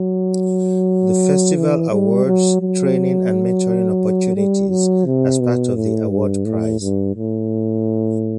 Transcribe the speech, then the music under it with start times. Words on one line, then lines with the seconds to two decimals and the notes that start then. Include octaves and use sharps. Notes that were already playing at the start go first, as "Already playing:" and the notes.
The festival awards training and mentoring opportunities as part of the award prize.
Already playing: F#3
1.56 E3
1.90 G3
2.25 F#3
2.61 F#3
4.35 G3
4.70 F#3
5.06 C3
5.40 B2
5.76 A2
6.11 G2
6.45 A2
6.80 G2
7.16 A2